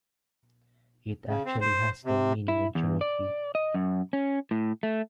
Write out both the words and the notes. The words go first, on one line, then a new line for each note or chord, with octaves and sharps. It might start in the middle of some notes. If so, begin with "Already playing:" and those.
It actually has no meaning in Cherokee.
C#3
C4
C5
C3
E4
E2
D5
D#5
F#2
C#4
A2
A3